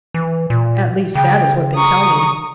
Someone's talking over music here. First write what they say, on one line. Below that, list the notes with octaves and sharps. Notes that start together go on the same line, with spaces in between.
At least that is what they tell me.
E3
A#2
C#3 G5
A#5 C#6 D#6